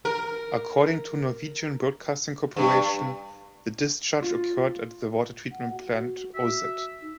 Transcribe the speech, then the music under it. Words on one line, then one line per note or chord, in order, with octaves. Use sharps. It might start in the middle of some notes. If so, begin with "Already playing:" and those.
According to Norwegian Broadcasting Corporation, the discharge occurred at the water treatment plant Oset.
A#4
G2
F4
F#5
F#4
E5
D#4